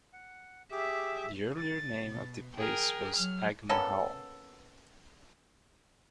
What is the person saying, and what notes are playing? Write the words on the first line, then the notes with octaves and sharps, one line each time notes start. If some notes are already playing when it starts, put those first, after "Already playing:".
The earlier name of the place was Agmahal.
F#5
G4 G#4 E5 D6
A6
B2
G#4 A#4 G5
F#3 F6
A#3 B3 C#4 A4